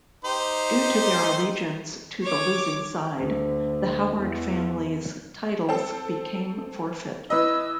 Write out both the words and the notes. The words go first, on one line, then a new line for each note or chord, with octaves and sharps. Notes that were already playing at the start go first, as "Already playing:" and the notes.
Due to their allegiance to the losing side, the Howard family's titles became forfeit.
D#4 G4 C5
C#5 D6
D2
E2
C4 A4
E3 B4 D#5 E6